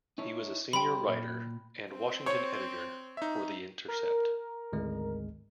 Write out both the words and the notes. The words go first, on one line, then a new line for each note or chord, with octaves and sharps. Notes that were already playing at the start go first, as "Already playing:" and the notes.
He was a senior writer and Washington editor for "The Intercept".
D#4 E4 C#5
G3 G4 C5 G5 B5
A#2
C4
C5 C#5
D#4 E5
A#4
G#1 D2 G#3